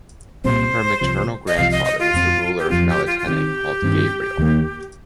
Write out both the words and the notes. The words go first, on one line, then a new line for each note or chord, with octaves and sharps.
Her maternal grandfather was the ruler of Melitene called Gabriel.
C2 A#2 G3 C4 C5
C2 C3 F3
D#5
C2 C3 F3 F5
D#5
D#5
F4
F2 F3 C4
G4
F2 F3 C4 F4
G4
F4
F4
G2 D#3 C4 G4
G2 D#3 C4
D#2 D#3 A#3